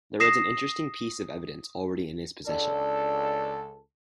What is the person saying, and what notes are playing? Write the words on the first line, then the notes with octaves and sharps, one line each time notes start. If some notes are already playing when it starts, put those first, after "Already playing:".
There was an interesting piece of evidence already in his possession.
D#6 A#6 C7 E7
C#2 D4 A4